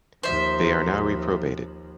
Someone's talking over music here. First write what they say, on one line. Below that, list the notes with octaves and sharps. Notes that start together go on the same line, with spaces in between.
They are now reprobated.
D#2 F3 C5 E5